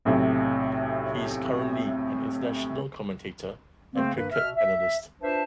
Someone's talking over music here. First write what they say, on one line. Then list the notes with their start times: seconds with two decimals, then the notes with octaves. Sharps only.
He is currently an international commentator and cricket analyst.
0.05 B1 A2 C3
3.93 C#3 A3 A#3 C4
4.15 G2 D#3 A#3 B4
4.32 B2 E5 F6
4.56 E5
5.21 D4 F4 B4 C5 E5 A5